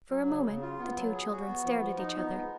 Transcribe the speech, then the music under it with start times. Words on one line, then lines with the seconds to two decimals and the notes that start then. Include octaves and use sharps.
For a moment the two children stared at each other.
0.10 F#3
0.27 C#3
0.44 C#3
0.62 F4
0.78 B3
0.96 F#3
1.13 G#4
1.29 F#4
1.47 B3
1.63 F3
1.80 F3
1.98 D#4
2.16 B3
2.32 G#3